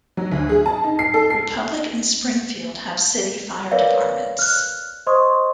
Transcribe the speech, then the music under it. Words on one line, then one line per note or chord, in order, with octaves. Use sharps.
Republic and Springfield have city fire departments.
F#3
D2
G#4
A5
D#4
C7
A4
C7
A#4 B4 C#5 D5 F5
F6 F#6
C5 D#5 C6 C#6 D#6